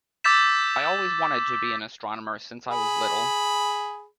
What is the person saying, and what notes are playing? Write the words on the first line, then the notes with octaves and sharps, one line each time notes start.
I always wanted to be an astronomer since I was little.
D6 E6 G6 A6 B6 E7
G#4 B5